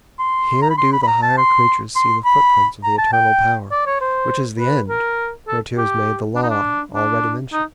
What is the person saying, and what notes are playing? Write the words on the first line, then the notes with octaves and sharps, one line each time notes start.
Here do the higher creatures see the footprints Of the Eternal Power, which is the end Whereto is made the law already mentioned.
C6
A#5
B5
C6
B5
B5
A#5
A5
C6
C6
B5
A#5
A5
G5
D5
C#5
C5
B4
A#4
A4
G4
D4
D#4
D4
D4
D#4